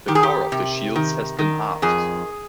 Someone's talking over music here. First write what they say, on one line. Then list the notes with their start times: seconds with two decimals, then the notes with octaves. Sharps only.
The power of the shields has been halved.
0.08 D#3 G4
0.15 G#4
0.23 G4
0.52 C3
0.96 D#3
1.39 D#3
1.82 F2 G#4